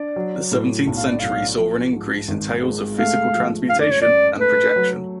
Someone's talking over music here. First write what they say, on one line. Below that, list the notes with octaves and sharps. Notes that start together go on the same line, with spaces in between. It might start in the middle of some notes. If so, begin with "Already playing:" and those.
The seventeenth century saw an increase in tales of physical transmutation and projection.
Already playing: D4 D5
F#3
A2
B1
F5
D5
B1 F5
F3
G#2
G#1
G#3
A3 F5
F3
F#2 F5
D5
C#5
F#2 D5
A3 B4
F#3